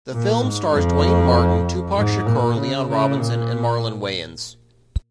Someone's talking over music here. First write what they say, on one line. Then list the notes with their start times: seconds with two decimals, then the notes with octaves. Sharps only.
The film stars Duane Martin, Tupac Shakur, Leon Robinson and Marlon Wayans.
0.12 A#2
0.43 G#2
0.73 F2
1.96 G#2
2.26 A#2
2.57 C#3
2.88 C#3
3.19 A#2